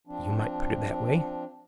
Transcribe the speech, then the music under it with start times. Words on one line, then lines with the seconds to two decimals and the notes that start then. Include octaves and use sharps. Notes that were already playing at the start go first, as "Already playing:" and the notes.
"You might put it that way."
0.07 F3 C4 D4